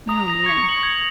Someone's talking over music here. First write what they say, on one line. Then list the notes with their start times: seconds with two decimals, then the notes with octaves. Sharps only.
Oh, man.
0.08 A#5 D#6
0.28 A#6 F7
0.45 C#6 G#6
0.64 C#7 F#7
0.83 G#6